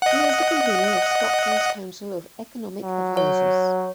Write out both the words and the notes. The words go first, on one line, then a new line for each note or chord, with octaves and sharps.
He is the convener of Scotland's Council of Economic Advisers.
D#5 F#5
F#3
C#5